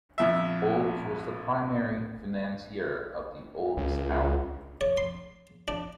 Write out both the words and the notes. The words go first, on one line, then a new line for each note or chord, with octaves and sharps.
Olds was the primary financier of the Olds Tower.
A#1 F2 E5
C#2
C#5
C6
D4